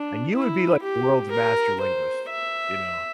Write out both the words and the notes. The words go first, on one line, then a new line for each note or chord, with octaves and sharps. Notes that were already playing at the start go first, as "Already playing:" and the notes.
And you would be, like, the world's master linguist, you know?
Already playing: D4
E4
G4
A#4
C5
E5